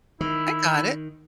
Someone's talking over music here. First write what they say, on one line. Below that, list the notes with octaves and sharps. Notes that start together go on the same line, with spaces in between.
I got it.
D#3 E4